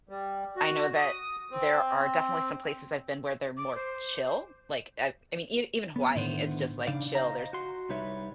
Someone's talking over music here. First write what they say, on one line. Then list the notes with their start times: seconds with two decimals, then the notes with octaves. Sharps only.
I know that there are definitely some places I've been where they're more chill, like uh, I mean, even Hawaii, it's just, like, chill, there's
0.09 G3
0.57 F#4
0.95 D#6
1.51 C4
3.57 D6
3.75 C5
5.96 B3
6.15 A2 D3 D#3 B3 C5
6.87 C#3 D4 D#4 D5 F5
7.15 C5 D#5 F5 A#5
7.53 F#4 C6
7.89 C2 G3 D#4 B4 C#5 E5